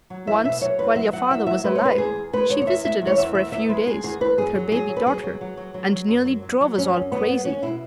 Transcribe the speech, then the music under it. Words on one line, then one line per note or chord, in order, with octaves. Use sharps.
Once, while your father was alive, she visited us for a few days, with her baby daughter, and nearly drove us all crazy.
F#3
E2 E5
B2 E5
F#3 C#5
E2 B4
F#3 E5
F#3 F#5
E2 E5
F#3 E5
G#3 B4
C#5
G#3 B4
E2 G#4
E2
G#3 B4
E2 C#5
C#5
E2 E5
G#3 E5
E2
C#5
E2 E5
E2 E5
E2 E5
G#3 B4
E2 G#4
E2 G#4
E2 B4
F#2 G#4
F#3
F#3 G#4
F#3
B4
F#3 G#4
F#3
F#3
F#3
F#3
F#3
F#2
F#3
F#3
F#3
F#2 C#4
F#2
G#3 B3
G#3 B3
G#3 C#4
B2 E4